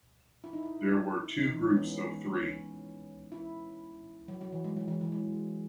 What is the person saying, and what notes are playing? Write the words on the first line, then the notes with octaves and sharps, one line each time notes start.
There were two groups of three.
E4
D#4
E4
D#4
E3
G#3
C#4
B3
C#4
C#4
E4
F#3
F#3
E3
G#3
F#3
E3
E3
G#3